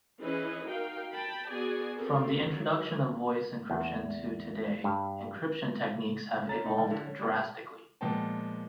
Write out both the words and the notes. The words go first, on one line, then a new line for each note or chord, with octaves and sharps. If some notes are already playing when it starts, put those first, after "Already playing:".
From the introduction of voice encryption to today, encryption techniques have evolved drastically.
E3 C#4 G#4 B4 D#5
D#4 F#4 A#4 F5 G5
G5 A5 B5
B3 F#4 G#4 D5 G#5
C4 F4 A4 A#4
F#3
E2
G2
C#4 A#5 A6
D#4
A#1
D3
C#4
G3 A3 B3
A#2 F3 G#3 B3 G5 A5